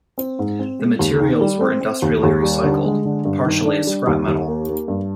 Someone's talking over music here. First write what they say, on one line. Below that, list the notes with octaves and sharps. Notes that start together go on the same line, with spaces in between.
The materials were industrially recycled, partially as scrap metal.
C4
G#2
C4
G#3
D#2
D#3
G3
C4
C4
D#2
D#2
G3
D3
G#3
D3
G2
D#3
D4
G3
D#2
D#2
A#3
A#3
G2